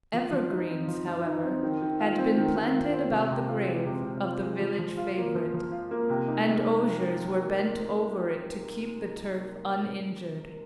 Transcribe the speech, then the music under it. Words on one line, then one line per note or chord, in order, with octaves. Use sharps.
Evergreens, however, had been planted about the grave of the village favorite, and osiers were bent over it to keep the turf uninjured.
F3
F3
D#4
C4
F3
F3
D#4
C4
D#3
D#3
F4
C4
D#3
D#3
F4
C4
C3
C3
F4
G#3
C3
C3
F4
G#3
F3
F3
F4
A#3
F3
F3
F4
A#3
C3
D#4
G#3